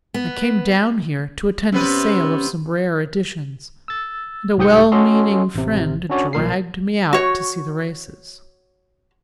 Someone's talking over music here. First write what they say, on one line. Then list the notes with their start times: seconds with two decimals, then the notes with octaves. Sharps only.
I came down here to attend a sale of some rare editions, and a well-meaning friend dragged me out to see the races.
0.14 B3
1.72 C3 B3 C#4 B4
3.88 E6 A6
4.58 C2 G#2 G4 D#6 G6 C#7
4.92 C#4 F#4 A4 D#5 C6
5.55 A1 C3
6.09 C#4 D4 F#4 C#5 D5
6.33 B1 A#2 A#4 C7
7.13 F#4 C#5